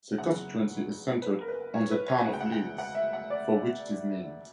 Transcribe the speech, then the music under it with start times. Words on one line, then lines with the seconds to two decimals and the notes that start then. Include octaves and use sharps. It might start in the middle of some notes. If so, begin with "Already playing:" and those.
The constituency is centred on the town of Lewes, for which it is named.
0.18 F#1 E2 C#3 F#3 F#5
1.22 B4
1.41 A#4
1.48 B4
1.74 C#5
1.91 B4
2.08 C#5
2.26 E1 D2 C#3 F#5
2.34 G5
2.41 F#5
2.52 G5
2.78 F#5
2.95 E5
3.13 F#5
3.30 D5